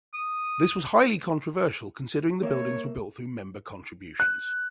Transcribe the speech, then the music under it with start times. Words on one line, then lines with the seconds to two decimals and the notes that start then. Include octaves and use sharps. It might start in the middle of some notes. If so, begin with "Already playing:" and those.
This was highly controversial considering the buildings were built through member contributions.
0.14 D#6
2.43 A#3 C#5 E5
4.20 F#6